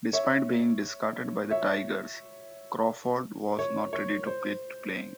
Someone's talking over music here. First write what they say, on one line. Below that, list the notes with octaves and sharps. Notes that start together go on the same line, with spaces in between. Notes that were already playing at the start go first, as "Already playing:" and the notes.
Despite being discarded by the Tigers, Crawford was not ready to quit playing.
C#5 E5
C#5 E5
C#5
C#5
C5